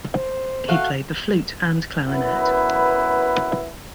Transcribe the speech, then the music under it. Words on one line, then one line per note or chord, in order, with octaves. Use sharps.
He played the flute and clarinet.
C5
A3 F#4 F5
F#2 B3 E4 B4